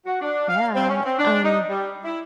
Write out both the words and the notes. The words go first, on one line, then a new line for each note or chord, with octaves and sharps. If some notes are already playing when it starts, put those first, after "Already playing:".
Yeah, um,
F#4
D4
F5
C4
C#4
C4
D4
D#4
G3
E4